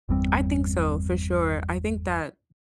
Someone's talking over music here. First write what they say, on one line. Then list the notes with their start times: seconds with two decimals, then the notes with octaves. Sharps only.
I think so for sure, I think that
0.09 G1 E2 G3 C4